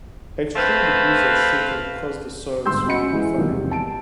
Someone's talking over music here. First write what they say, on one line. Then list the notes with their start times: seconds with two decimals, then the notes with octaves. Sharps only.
Extreme degrees of shaking caused the soil to liquefy.
0.55 A3 C4 B4 F5
2.66 G1 G#2 C6 E6 G6
2.87 C#4 F#4 D#5 B5 C#7
3.13 E3 G#3
3.38 B2 D#3 F3 G3 A#3
3.49 E2 C3
3.71 A5 D7